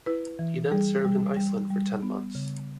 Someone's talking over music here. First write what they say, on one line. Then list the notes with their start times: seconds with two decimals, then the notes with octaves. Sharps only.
He then served in Iceland for ten months.
0.06 E4 B4
0.39 E3
0.72 G3 G#4
1.05 G3
1.37 G3
1.70 G3
2.02 B3
2.35 C#3